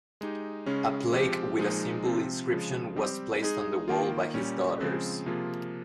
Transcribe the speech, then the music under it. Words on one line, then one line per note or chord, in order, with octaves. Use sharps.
A plaque with a simple inscription was placed on the wall by his daughters.
G#3 D#4 G4
C#3 G#3 C#4
F3 G#3 C4 G4
A#2 F3 G#3 D#4
C3 F3 C4
C#3 F3 G#3
G3 C4 G4
G#3 D#4 G#4
D#3 A#3 F4
A#2 G3 C#4
C#3 F3 G#3 C4
C3 F3 A#3 F4 G#4